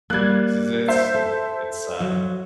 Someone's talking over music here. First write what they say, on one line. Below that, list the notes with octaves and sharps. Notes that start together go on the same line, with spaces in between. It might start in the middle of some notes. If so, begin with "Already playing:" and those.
Yeah, 'cause it's i it's sad.
G3 A#3 F#6 G#6
C5 E5 C7
A4
F#3